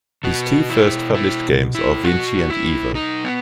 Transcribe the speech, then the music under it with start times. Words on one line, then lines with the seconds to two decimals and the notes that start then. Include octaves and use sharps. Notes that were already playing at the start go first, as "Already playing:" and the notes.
His two first published games are "Vinci" and "Evo".
0.24 B2 F#4
0.70 E4
1.14 E4
1.75 E4
2.04 F#4
2.50 E4
2.95 D#4
3.25 B3